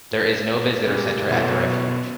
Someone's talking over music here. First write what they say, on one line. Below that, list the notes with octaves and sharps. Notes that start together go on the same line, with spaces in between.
There is no visitor center at the refuge.
A#2 C#3 G3
B2 E3 A3 B3 C#4 E4
F#3